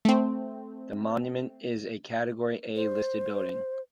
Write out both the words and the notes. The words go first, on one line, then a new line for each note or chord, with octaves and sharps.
The monument is a category A listed building.
A3 C4
C5